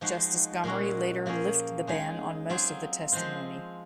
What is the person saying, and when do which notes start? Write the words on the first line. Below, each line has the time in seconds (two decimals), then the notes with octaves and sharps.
Justice Gomery later lifted the ban on most of the testimony.
0.01 F3 G#3 D#4 F#4
0.64 A#2 G#3 C#4 F#4
1.26 F3 A#3 C#4 G#4
1.87 G#3 D#4 G#4
2.50 F#3 C4 F4 G#4
3.12 F3 G#3 C4 F4